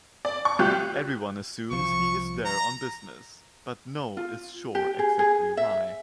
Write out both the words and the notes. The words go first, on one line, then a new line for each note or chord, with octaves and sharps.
Everyone assumes he is there on business, but no is sure exactly why.
D5
C#6
C2 F4 G4 F#6
C2 F3 C#6
A#5
F4
G4
G#4
G#4
E5